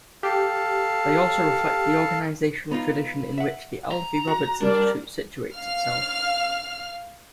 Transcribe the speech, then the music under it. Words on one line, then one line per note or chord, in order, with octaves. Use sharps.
They also reflect the organizational tradition in which The Alfie Roberts Institute situates itself.
G4 A4 F5
B3 D#4 F4
E5 F#5
A#5
F#4
G3 D4 A#4 D5
F5 F6